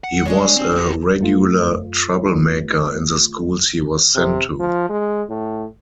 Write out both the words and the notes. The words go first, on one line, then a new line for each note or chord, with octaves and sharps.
He was a regular troublemaker in the schools he was sent to.
F#5
G#3 D4 G#4 C#5
C4
C4 F#4
F#2 A3 F4
C3
F3
G#3
A2